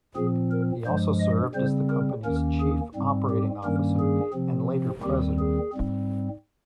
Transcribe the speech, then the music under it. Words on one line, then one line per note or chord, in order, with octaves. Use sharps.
He also served as the company's chief operating officer and later president.
A#2 F3 C4 G#4
A#4
G2 F3 G#3 C5
D#5
C#3 G3 C4 C5
A#4
D#2 D#3 A#3 C#4 A#4
G#4
G#2 G3 C4
G4
G2 D#3 G3 A#3 C#4 A#4
G#4
C3 F3 C4
D#2 D#3 G3 C4 G4
G#4
G#2 G3 C4